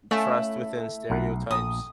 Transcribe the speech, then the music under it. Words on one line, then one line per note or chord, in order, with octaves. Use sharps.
trust within stereotypes,
A3 C#4 E4 F5
B1 F#5
A#1 D#6